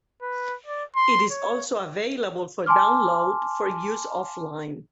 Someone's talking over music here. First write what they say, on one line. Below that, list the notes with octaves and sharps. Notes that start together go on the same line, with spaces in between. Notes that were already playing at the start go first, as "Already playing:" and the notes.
It is also available for download for use off-line.
B4
D5
C6
C#5
G#5 A5 C6 D6 F6